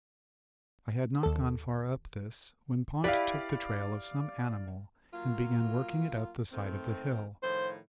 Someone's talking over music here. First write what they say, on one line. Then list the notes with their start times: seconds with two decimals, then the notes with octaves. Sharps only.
I had not gone far up this when Pont took the trail of some animal and began working it up the side of the hill.
1.23 D#2 A4
3.04 E4 G4 B4 D5 F5
5.12 F#3 A#3 F4
6.52 D#3 A3 C4
7.43 A2 D#3 F3 C5